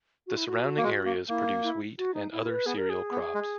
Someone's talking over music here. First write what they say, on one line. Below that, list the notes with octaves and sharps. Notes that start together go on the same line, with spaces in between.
The surrounding areas produce wheat and other cereal crops.
F#4
E4
F#4
A#3
G#3
A#3
A#3 E4
E4
F#4
D#4
E4
B4
B3 G#4
A#4
G#4
B3
G#3